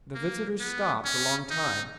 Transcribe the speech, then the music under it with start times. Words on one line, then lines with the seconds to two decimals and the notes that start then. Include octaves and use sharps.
The visitors stopped a long time.
0.15 A#3
0.60 B3
1.05 C#4
1.50 D#4